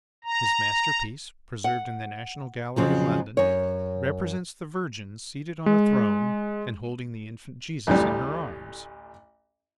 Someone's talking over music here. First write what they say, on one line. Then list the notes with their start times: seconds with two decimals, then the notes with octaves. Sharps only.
His masterpiece, preserved in the National Gallery of London, represents the Virgin seated on a throne and holding the infant Jesus in her arms.
0.24 A#5
1.64 F#5
2.76 F2 C#3 F3 F#3
3.37 F#2 C#5
5.66 G#3
7.87 A1 D2 A2 G3